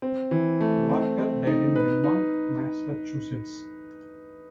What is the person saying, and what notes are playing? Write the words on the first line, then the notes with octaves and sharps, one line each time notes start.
Walker died in Belmont, Massachusetts.
C4
E3
A3
C4
C4
D#4
B4
D#4